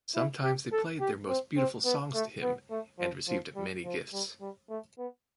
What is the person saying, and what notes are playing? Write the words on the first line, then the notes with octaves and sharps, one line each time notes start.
Sometimes they played their most beautiful songs to him and received many gifts.
E4
G4
A4
G4
C4
C4
B3
A3
B3
A3
F3
F3
G3
F3
G3
G3
A3
B3